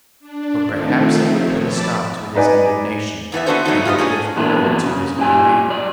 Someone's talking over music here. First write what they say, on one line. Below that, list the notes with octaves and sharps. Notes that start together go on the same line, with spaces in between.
For perhaps he will put a stop to his indignation, and will give glory to his own name.
D4
D#3 F3 A3 C4
C5 C#5
A5 B5 D6 E6 A6
D#4 B4 D5 G#5
E2 E3 B3 E5
B3 C4 D4 F#4 A4 C5
C#3 F#3 A3 D#4
F4 G4 C#5 D#5
A#3 C#4 D4 G#4
E2 A#2 F#3 B3 D4 E4
E2 F#3 A#3
C#3
A#2 G4 G#5
F#2 D5